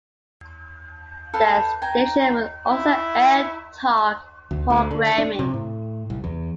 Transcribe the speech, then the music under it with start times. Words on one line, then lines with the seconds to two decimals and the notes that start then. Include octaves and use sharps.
The station will also air talk programming.
1.34 A4 B4 F5 A5
1.82 G5 G#5 A#5
2.68 E4
4.51 D2
4.70 D2
4.91 D3
5.18 D4
5.39 C3
5.54 A2
6.10 C2
6.24 E2